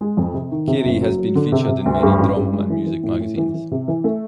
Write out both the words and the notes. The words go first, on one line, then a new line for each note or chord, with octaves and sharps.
Carey has been featured in many drum and music magazines.
G#3
F2
C3
D#3
C3
F#1
F#3
F#3
D3
C3
C3
D2
G2
A1
G2
G#3
E3
E3
A2
A2
E3
E3
C3
E3
A3